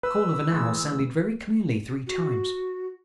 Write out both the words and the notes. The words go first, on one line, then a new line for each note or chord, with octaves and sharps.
The call of an owl sounded very clearly three times.
B4 E6
E3 G#3 A3
F#4